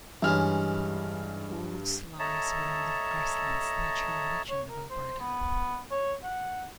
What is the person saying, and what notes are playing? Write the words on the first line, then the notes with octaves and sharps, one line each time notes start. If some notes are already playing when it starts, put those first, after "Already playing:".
Olds lies within the Grasslands Natural Region of Alberta.
G2 E3 G#3 C#4 F6
A4 C#5 D#5 E5 A5 A#5
C#5
A#4
C5
B3
C#5
F#5